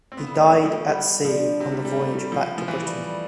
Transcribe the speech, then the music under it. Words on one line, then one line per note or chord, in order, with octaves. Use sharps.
He died at sea on the voyage back to Britain.
C4
B3 F4
E4
A3 D4
E4
F3 F4
F3
G3 E4
F3 D4
C3 C4
G3
G3
A3 B3
C4
G3
B3
F3 B3
F3
E3 A3
G3
A3
G3